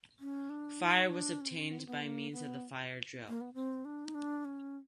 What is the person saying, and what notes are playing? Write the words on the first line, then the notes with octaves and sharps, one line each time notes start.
Fire was obtained by means of the fire-drill.
C#4
D4
D#4
D4
C#4
C4
C#4
B3
C4
B3
A#3
B3
A#3
B3
C4
D4
D#4
D4
C#4